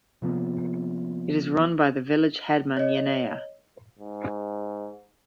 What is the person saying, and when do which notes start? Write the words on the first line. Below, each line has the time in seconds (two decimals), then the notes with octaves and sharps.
It is run by the village headman Yeneya.
0.22 C3 F3 A#3 B3
2.77 C#5 D#5
3.99 G#2